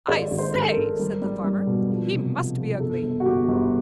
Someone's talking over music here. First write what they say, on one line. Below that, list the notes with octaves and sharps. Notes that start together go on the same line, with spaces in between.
'I say!' said the farmer, 'he must be ugly!
G#1 D5
G#1
C5
G#1
A4
A#4
G#1
G3
G3
G3
B2
F3
C3
F3
F3
G1 A4
G1
F#4
G1 G4
G1